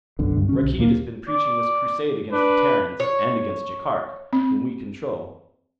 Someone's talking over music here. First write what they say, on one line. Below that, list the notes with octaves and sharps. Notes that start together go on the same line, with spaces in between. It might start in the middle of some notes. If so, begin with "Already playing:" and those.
Rakkeed has been preaching this crusade against the Terrans, and against Jaikark, whom we control.
B1 F#2 B2 D3
C#2 G2
D3 C#4
B1
D#2 A#2 E3 A#3
D5
D4 B4
C#5
C4